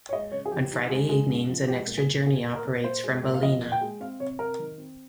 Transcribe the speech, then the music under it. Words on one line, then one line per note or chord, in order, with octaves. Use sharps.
On Friday evenings an extra journey operates from Ballina.
C#5
G#3 D#5
C#3 C#5
G#4
F3 G4
D#4
G#3
G#3
C#3
F3
G#3 G4
A#2
G#4
A#2
A#2 G#4
A#2
A#4
A#2
A#2 C5
G#3
A#2
F5
F3 D#5
A#2
G5
G#3
C4 F5
C3 C#5
C3 A#4
D#3
C4